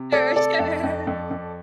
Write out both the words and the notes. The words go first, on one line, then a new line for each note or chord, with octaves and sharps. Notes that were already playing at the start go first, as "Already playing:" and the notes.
Sure, sure.
Already playing: C3
A3 A4 D5
C3 A4 D5
F2
F2
F2
F2